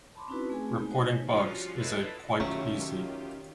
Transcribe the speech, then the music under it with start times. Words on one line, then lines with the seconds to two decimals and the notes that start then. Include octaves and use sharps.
Reporting bugs is a quite easy.
0.15 A5 B5 C6 D6
0.28 C4 C#4 D#4 E4 F#4 B4
0.50 A3 C4 G#4 G#5 A5
0.75 G#3 B3 D#4
0.91 F#4 C5 C#5 D#5
1.29 F3 G3 C#4 D4 F4 F#4
1.75 D4 E4 F4 A4 B4 D#5
2.40 D#3 F#3 A3 C#4 F4 G4